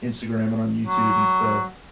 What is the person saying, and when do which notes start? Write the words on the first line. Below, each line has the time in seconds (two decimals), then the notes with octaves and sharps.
Instagram and on YouTube and stuff.
0.85 F#3